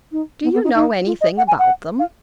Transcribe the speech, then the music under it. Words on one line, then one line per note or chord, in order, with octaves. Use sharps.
Do you know anything about them?'
D#4
B3
B3
D#4
D#4
F4
D#5
F#5
G#5
F#5
F5